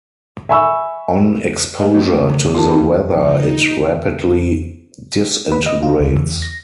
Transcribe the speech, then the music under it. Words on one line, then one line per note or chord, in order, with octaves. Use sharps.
On exposure to the weather it rapidly disintegrates.
E5 G#5 B5 C#6 E6
A3 G#4 B4 D#5
F3 A#3 D4 F#4
A3
D#3 F3
F4 A#4 A5
C4 D#4 E4
A#2 F3 D#4
B4
D#5
F4
D2
E2
A#6